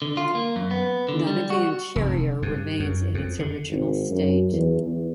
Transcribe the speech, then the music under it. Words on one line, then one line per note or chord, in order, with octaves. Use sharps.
None of the interior remains in its original state.
D3
F4
A#3
F#2
B3
D3
G3
F#4
F1
G2
F#2
F2
D3
G#1
F#2
E2
E2